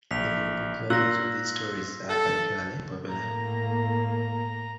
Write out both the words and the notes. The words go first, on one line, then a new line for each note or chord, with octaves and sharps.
The board book versions of these stories are particularly popular.
A#1 B6 F7
A#2 E6 F#6 A#6
A4 E6 A6
A2 A#3 A#5